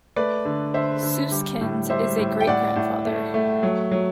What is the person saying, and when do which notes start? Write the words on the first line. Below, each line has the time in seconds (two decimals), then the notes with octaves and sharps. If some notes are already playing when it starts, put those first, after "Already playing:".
Susskind is a great-grandfather.
0.16 A3 B4 D5
0.45 D3
0.74 D3 C5 E5
1.03 D3
1.31 G3
1.61 A2
1.90 G3 C5 E5
2.18 A2
2.40 G5
2.47 A2 D5 F#5
2.76 A2
3.05 A3
3.34 A3
3.63 F#3
3.91 F#3